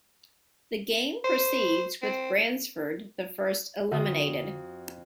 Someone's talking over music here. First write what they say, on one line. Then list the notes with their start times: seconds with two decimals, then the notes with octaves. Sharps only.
The game proceeds, with Bransford the first eliminated.
1.25 C5
2.02 C4
3.92 F2 D3 F#4 C5 D#6